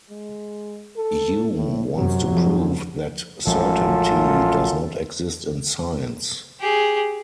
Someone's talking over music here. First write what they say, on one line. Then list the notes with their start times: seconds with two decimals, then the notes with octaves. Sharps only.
Hume wants to prove that certainty does not exist in science.
0.10 G#3
0.97 A4
1.57 A2
1.97 F#2 C3 F#3
2.28 F2
3.47 A1 F#2 F3 G#3 F4 A4
6.60 G4 G#4